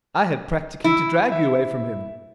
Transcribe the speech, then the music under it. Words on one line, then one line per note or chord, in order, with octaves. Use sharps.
I had practically to drag you away from him.
E4
E5